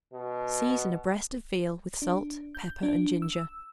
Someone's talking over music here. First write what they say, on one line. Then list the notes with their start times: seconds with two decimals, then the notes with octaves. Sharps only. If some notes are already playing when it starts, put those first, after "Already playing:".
Season a breast of veal with salt, pepper and ginger.
0.13 B2
2.02 D4
2.55 G6
2.83 D4
3.22 E6